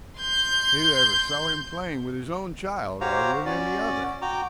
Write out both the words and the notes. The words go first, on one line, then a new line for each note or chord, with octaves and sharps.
Who ever saw him playing with his own child, or with any other?
C6 G6
F#4 G4 C5 C#5 F5 A#5
C#4 F#4 D5
F#4 G5 A#5 D6